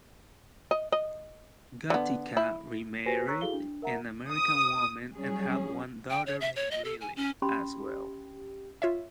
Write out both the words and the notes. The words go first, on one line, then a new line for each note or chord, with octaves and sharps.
Gatica remarried an American woman and had one daughter named Lily, as well.
D#5
D#5
D3 B3
E4
F#4 G4 B4 C5 G#5 A#6
C#5 A#5 C#6 E6 F#6 B6
E4 F#4 G#4 A4 F5 G7
D4
A#4 E5 F#5 A#5
D#6
F#3 G3 C#4 G#4
G5
C#5
E5
C#5
D#5
A4
G#5
C#4
C#4 G4 B5 C6
F4 C#5 E5